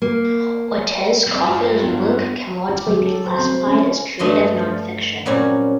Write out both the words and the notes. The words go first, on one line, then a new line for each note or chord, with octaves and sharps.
Ortiz Cofer's work can largely be classified as creative nonfiction.
A#3
G2 C4
F4 F#4
A#4
B3
G4
F#3
A4
C5
C4
C#4
G2 A3 D#5 C6
A#2 F#3 G3 C4 C#4